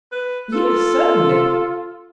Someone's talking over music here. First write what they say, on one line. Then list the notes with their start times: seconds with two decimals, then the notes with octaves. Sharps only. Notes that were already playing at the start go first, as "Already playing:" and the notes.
"Yes, certainly."
0.12 B4
0.53 F4 A4